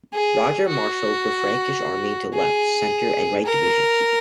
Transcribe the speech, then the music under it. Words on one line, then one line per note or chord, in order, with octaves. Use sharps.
Roger marshalled the Frankish army into left, center and right divisions.
G#4
F#4
G#4
A#4